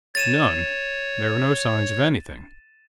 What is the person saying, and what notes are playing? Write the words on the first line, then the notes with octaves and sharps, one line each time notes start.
'None,--there were no signs of anything.
C#5 A6 D#7 E7